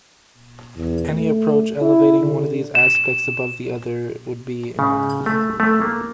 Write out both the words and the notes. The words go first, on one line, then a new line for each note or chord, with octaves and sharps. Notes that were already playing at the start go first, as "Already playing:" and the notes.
Any approach elevating one of these aspects above the other would be in error.
E2
A3
E4
D3
E7
C#3
A3
A3
A#3